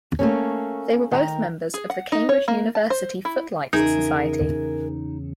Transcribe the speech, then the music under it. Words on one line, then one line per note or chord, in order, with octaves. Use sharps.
They were both members of the Cambridge University Footlights society.
A3 A#3 C#4
D#3 A5 A#5
G#4
F#5
D#4
C#5
A#3
A5
C5
E4
E2 C#3 D#4 G#4 A#4 E5